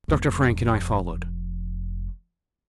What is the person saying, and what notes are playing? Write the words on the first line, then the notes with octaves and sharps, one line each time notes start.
Dr. Frank and I followed.
F1 F2